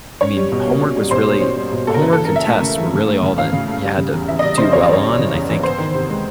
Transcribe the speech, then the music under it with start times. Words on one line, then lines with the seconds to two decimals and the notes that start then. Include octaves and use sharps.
I mean, homework was really homework and tests were really all that you had to do well on, and I think
0.21 C#4 C#5
0.37 G3
0.52 B2
0.66 A#3
0.81 C#4
0.96 G3
1.11 B2 C5
1.27 A#3
1.41 C#4
1.57 G3
1.72 B2
1.87 A#3 A4
1.94 A#4
2.02 C#3 B4
2.13 A4
2.17 E3
2.25 A#4
2.32 C#3 E5
2.47 A3
2.62 C#3
2.78 E3
2.93 C#3
3.08 A3
3.23 C#3
3.37 E3 F5
3.53 C#3
3.68 A3
3.83 G3
3.98 C#3
4.13 E2
4.28 E3 E5
4.39 D#5
4.43 G3 D5
4.58 C#3 C5
4.73 E2 C#5
4.83 E3 D5
4.93 C#5
5.03 G3
5.19 C#3
5.34 E2
5.49 E3
5.63 B3 C5
5.78 D#3
5.95 C3
6.10 G#3